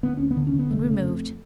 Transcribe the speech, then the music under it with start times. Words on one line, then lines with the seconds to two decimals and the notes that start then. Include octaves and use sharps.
And we moved.
0.03 D3 B3
0.17 D2 C#4
0.31 B3
0.37 D3
0.47 C#4
0.54 D3
0.59 B3
0.71 F1 A3
0.88 C#3
1.04 F2